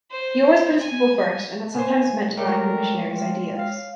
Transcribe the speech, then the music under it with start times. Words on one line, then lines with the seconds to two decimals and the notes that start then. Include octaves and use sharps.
He always put his people first, and that sometimes meant denying the missionaries' ideas.
0.11 C5
0.80 G#5
1.74 C#3 C5 G#5
2.37 G#3 A3 D4 E4 A#4 C#5 G5
3.12 F4
3.57 F5